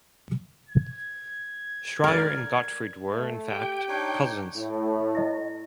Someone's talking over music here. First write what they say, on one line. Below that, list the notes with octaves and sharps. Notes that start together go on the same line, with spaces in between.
Shreyer and Gottfried were, in fact, cousins.
G#6
A#4 D5
A3
G4 G5
D4 D#4 C#5
A2
E4 D#5